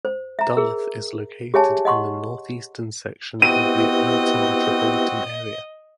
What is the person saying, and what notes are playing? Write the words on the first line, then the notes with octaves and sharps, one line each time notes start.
Duluth is located in the northeastern section of the Atlanta metropolitan area.
C5
E5 A#5
G#4 A#4
G4 G#4 C#5 E5 G#5 A5
D#5 F#5 C6 C#6
B3 C4 E4 F#4 G4 D#5 D#7